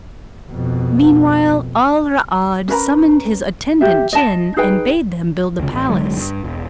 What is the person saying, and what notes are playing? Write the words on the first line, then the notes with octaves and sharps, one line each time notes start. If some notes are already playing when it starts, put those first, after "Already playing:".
Meanwhile, Al-Ra'ad summoned his attendant Jinn and bade them build the palace.
F2 B2
C#4 A#4 B4 A#5
G4 E5
D#5 A5
D#4 G#4 B4 G5
D2 C#3
A1
C2 D3 F#3 G#3
G2
E1